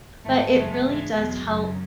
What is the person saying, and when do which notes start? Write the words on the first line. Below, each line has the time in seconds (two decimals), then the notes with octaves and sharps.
But it really does help,
0.24 G#2 D#3 G#3 A3
0.54 F#2 C#3 E3 G#3 A3
0.84 G#2 E3 G#3
1.14 E2 B2 F#3 G#3
1.45 F#2 C#3 F#3